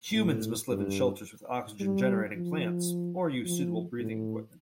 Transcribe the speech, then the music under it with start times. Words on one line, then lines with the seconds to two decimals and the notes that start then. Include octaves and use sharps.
Humans must live in shelters with oxygen-generating plants, or use suitable breathing equipment.
0.15 A2
0.70 G2
1.80 G3
2.35 F3
3.45 F3
3.99 A2